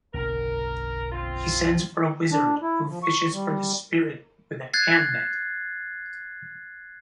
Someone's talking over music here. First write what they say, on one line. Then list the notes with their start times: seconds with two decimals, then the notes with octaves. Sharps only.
He sends for a wizard, who fishes for the spirit with a hand-net.
0.14 F#1 B1 D3 A#4
1.11 C4 F4
2.32 D4
2.62 E4
2.90 F3
3.03 C#6
3.33 G3
4.74 F#6 G#6 A6 C7